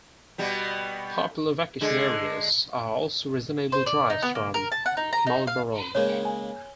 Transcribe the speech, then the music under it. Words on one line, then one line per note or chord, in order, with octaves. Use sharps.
Popular vacation areas are also reasonable drives from Marlborough.
B2 G3 B3
D3 G#3
C5
D5
D#4
B3
A#3
A#4
A5
F#5
D#4
A#5
D#4
F5
C#3 G#3 A#3 C#5
G#5